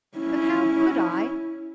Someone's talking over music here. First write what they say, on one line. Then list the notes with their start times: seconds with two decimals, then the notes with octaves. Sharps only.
But how could I?
0.18 C#4 E4